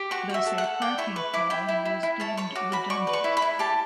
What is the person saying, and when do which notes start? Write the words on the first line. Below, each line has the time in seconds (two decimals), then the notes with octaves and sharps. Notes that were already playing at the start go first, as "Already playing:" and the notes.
Thus a parking pawl was deemed redundant.
Already playing: G4
0.11 F#4 C#6
0.30 F#4 E5
0.46 A4
0.58 F#5
0.64 A4
0.82 D5 G5
0.98 E4 C#6
1.16 B4 C#6
1.34 E4 D6
1.50 E4 G5
1.69 E4
1.85 E4
2.03 E4
2.20 C#5 A5
2.37 C#5 C#6
2.55 F#4 D6
2.72 F#4 B5
2.90 D5 C#6
3.07 B4
3.13 C#6
3.24 E4
3.37 B5
3.42 E4
3.59 G4 A5